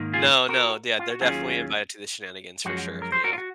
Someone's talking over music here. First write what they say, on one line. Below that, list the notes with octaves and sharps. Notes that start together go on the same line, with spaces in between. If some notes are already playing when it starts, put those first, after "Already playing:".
No, no, d yeah, they're definitely invited to the shenanigans for sure, you know?
Already playing: G#2 D#3 A#3 D#4
F4 G#4
F#4 A#4
F4
F#4
D#2 D#3 F#3 C#4 F4 G#4
F#2 F3 G#3 C#4 F#4
A#4
C5
F#4 A#4
F4
F#4